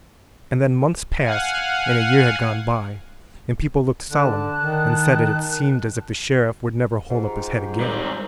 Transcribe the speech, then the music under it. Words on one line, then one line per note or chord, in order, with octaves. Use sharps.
And then months passed and a year had gone by, and people looked solemn and said that it seemed as if the Sheriff would never hold up his head again.
F5 F#5 G#5
D3 A5 F#6
D#3
G#2 D#5
F4 G4 A#5
D#2 G#2 G3 C4